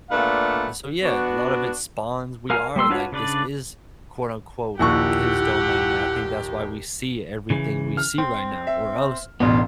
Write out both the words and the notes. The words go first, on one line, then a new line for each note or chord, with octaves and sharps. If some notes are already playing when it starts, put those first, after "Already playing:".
And so, yeah a lot of it spawns, we are like, this is quote unquote "His domain," and I think that's why we see everything we see right now or else
A#2 A3 B3 D4 F5
B3 D4 F#4
A#4 F5 G#5 F6
G3 A#3 C6 E6
D4 F4 F#4 B4 C#5
C#3 D4 B4 D5
A#1 D#2 E4 G4 F#5 C#6 E6
C#3 E3
F6
C4
E5
E1 A1 B2 B3 D4 F4